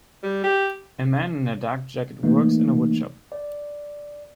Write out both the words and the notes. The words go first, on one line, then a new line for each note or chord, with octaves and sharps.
A man in a dark jacket works in a wood shop.
G3
G4
E3 A3 A#3 D#4
D5